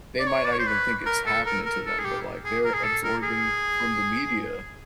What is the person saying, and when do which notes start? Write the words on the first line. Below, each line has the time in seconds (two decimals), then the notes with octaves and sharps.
they might not even think it's happening to them, but, like, they're absorbing from the media.
0.19 D5
0.27 C#5
0.45 D5
0.52 C#5
0.59 C5
0.67 B4
1.06 A#4
1.26 A4
1.46 A#4
1.65 A#4
1.86 A4
1.99 G#4
2.05 G4
2.45 G#4
2.64 A#4
2.74 G#4
2.84 A4
3.04 A#4
3.23 G#4